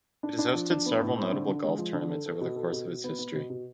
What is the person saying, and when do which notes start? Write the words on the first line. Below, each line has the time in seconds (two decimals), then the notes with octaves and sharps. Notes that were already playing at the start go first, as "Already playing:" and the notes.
It has hosted several notable golf tournaments over the course of its history.
0.23 D4
0.39 D4
0.54 F3
0.71 D4
0.86 B3
1.01 A2
1.17 C4
1.33 D3
1.48 D3
1.64 G#3
1.79 F3
1.94 D3
2.10 A4
2.26 A4
2.41 B2
2.56 A4
2.72 B2
2.88 B2
3.04 B3
3.19 B3
3.35 B2
3.50 B2